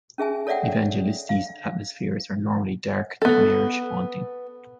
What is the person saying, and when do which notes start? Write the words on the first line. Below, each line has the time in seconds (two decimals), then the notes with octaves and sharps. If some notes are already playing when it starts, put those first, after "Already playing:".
Evangelisti's atmospheres are normally dark, nightmarish, haunting.
0.18 C#4 G#4 E5 G#5
0.47 A4 C#5 D5 E5 F#5 G5
1.29 F5
3.22 B3 A4